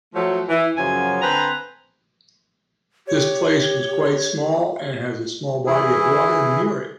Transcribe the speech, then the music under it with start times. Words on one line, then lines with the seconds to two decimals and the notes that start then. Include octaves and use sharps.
This place was quite small and has a small body of water near it.
0.15 F3 F#3 A3
0.49 E3
0.77 F#2 C#3 F3 F#3 G#5
1.22 D3 C4 B4 C5 G#5 A#5
3.07 G4 C#5
5.67 E3 E4 G#4